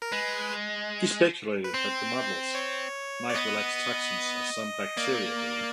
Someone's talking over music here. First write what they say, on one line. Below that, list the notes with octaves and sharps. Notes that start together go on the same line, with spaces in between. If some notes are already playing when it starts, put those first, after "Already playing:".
He speculated that molds might release toxins, as some bacteria do.
A#4
G#3 B4
B4
C4 C5
C#5
D5
B3 D#5
A#3 D5